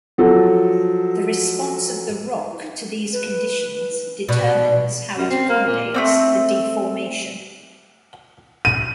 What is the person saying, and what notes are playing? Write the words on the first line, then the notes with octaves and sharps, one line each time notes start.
The response of the rock to these conditions determines how it accommodates the deformation.
F3 F#3 A4
B4
B2 D5
F#2
C4
A#3
A#2
A3 A#3 C4
D#7